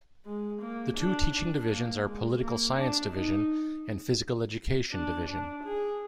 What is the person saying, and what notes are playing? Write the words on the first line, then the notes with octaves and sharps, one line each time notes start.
The two teaching divisions are Political Science Division and Physical Education Division.
G#3
A#3
D4
D4
A#3
G#3
A#3
D4
D#4
D4
D4
G#4